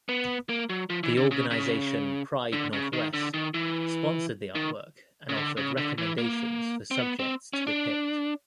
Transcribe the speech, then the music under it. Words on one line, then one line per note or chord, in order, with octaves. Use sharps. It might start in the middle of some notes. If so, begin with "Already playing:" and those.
The organization Pride Northwest sponsored the artwork and offered recommendations for subjects to depict.
B3
A#3
F#3
F3
E3
D3
C#3
C#3
D3
C#3
D#3
D3
D#3
E3
D#3
C#3
D3
C#3
D3
E3
A#3
C4
B3
C4
C#4
D4